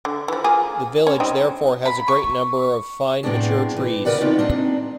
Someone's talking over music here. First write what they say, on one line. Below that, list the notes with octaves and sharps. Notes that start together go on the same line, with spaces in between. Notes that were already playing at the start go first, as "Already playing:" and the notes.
The village therefore has a great number of fine mature trees.
D3
E3 F3
A#3 F4 G#4
C#4
G3 C4 D#4
B5
C#6
A2 C3 B3 C4 D4 G#4
E3
D#2 C#3 A#4 B4 D5 F#5
D#3 B3 C4 D4 F4
C4 D4 D#4